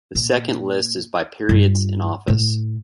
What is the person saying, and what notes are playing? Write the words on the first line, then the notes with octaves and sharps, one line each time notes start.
The second list is by periods in office.
A#2
G2 F4
A2